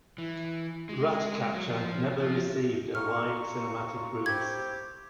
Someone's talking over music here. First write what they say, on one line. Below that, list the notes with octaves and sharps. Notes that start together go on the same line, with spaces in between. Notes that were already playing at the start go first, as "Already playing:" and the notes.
"Ratcatcher" never received a wide cinematic release.
E3
G#3
F#3
F3
F3
F4 A#5 C#6 F6
C4 E4 G4 G#6